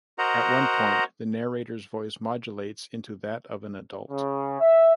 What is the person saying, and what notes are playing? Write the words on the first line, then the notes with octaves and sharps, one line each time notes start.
At one point the narrator's voice modulates into that of an adult.
F#4 A#4 C5 D#5 F#5 A#5
C#3
E5